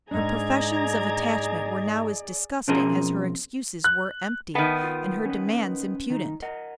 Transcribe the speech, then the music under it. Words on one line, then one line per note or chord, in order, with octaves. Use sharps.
Her professions of attachment were now as disgusting as her excuses were empty, and her demands impudent.
G#2 D4 G#4 D5 D#5 A#5 G#6
B2 F3 C4 C#4 G#4 A#4
F#6
D#3 B3 E5 G5 A5
F4
C#4 B4
D#3 D#4
A#4 D#5 F#5